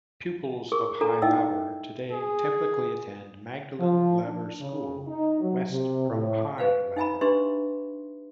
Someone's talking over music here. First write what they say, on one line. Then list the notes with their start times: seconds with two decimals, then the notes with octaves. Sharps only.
Pupils of High Laver today typically attend Magdalen Laver school, west from High Laver.
0.72 G#4 A#4 C#6
1.01 D4 A4 A#5
1.22 D#4 E4 D#5 E5 G5 E6
2.11 G#4
3.80 F3
4.23 D4
4.61 C#3
5.07 D#4
5.41 F#3
5.71 C3
6.10 A2
6.58 G4 B4 C5 F5
6.96 D#4 E5 G#5 A#5 B5
7.21 D4 G4 B4 E5 C6